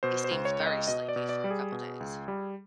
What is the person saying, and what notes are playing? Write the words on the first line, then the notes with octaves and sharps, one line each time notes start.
he seems very sleepy for a couple of days.
B2 C5
C5
C#2
C#5
C#2
D#5
B2 D#5
D5
B2
D5
G3
G#4
B2
C#2
G3